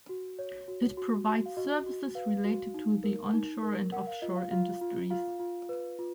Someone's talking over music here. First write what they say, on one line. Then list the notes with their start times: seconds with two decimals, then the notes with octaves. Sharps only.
It provides services related to the onshore and offshore industries.
0.09 F#4
0.39 C#5
0.68 F#4
0.97 F#4
1.28 F#4
1.46 F5
1.57 F#4 D#5
1.86 F#4
2.15 B4 F5
2.45 F#4
2.74 D#4
3.04 A#4
3.34 D#4
3.63 A#4
3.92 A#4 F#5
4.07 F5
4.22 F4 D#5
4.36 F5
4.51 F4 F5
4.81 F4
5.10 F4 F5
5.40 F4
5.69 B4
5.99 F4